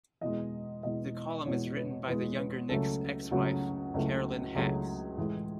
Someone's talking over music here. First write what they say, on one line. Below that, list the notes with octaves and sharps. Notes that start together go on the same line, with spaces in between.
The column is written by the younger Nick's ex-wife, Carolyn Hax.
E2 B2 G#3 D#5
E2 B2 G#3 D#5
E2 B2 G#3 C#5
B4
E2 B2 G#3 B4
B4
C#2 C#3 F#3 A3 A4
C#2 C#3 F#3 A3 F#4
C#2 C#3 F#3 A3
C#2 C#3 F#3 A3 G#4
A2 E3 G#3